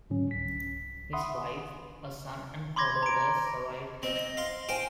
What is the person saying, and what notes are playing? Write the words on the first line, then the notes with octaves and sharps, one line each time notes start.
His wife, a son and four daughters survived him.
G#2 D3 F#3 C#4
C2 B6
E5 F#5 B5 C6 D#6
B5 C6 D6 G#6 A#6
A#5 D7
C4 D#5
D#5
F5 C6
C5 F5 G5 G#5